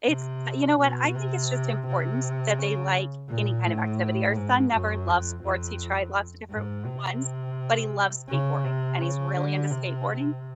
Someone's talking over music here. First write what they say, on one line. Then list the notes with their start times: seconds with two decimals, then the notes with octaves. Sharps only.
It's you know what? I think it's just important that they like any kind of activity. Our son never loves sports, he tried lots of different ones, but he loves skateboarding, and he's really into skateboarding.
0.08 C3
0.80 B2
1.15 C3
1.87 C3
2.58 C#3
3.29 A#2
3.65 A2
4.36 G#2
4.72 F#2
5.08 F2
5.44 F2
6.51 G#2
6.86 C3
8.29 C#3
8.64 C3
9.01 C#3
9.36 D3
9.72 C3